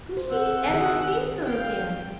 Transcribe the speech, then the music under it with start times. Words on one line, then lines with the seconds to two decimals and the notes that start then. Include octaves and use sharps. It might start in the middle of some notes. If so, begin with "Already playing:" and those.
Could he ever face her again?
0.17 C5
0.31 C4 F#5 E6
0.69 D#3 G#4
1.45 F5 G5